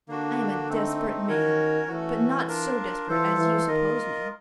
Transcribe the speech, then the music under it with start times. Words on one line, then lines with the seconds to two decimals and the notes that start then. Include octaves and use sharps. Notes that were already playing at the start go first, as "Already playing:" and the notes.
I am a desperate man, but not so desperate as you suppose me.
0.08 D3 A#3 D4 F#4
0.69 A3 C4 D#4
1.28 D#3 C#4 F#4 A#4 C#5
1.88 E3 A3 C#4 F#4
2.48 D4 F4 A#4
3.08 E3 F4 A4 C5
3.38 E3
3.68 D#3 F4 A#4 D#5